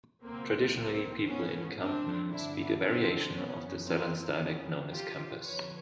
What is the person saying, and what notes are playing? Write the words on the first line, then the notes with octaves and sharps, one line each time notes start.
Traditionally people in Kampen speak a variation of the Sallands dialect, known as Kampers.
C#2 B2 F#3 A#3 C4
A#3 C4
G#2 F3 B3 C#4
C4 D4
G2 D3 F#3 D4 E4
C4 D4
F#2 C#3 F3 B3 C#4
A#3 C4
F2 C3 D#3 F#3 B3 C#4
F4 G4
F2 D3 F3 B4 C#5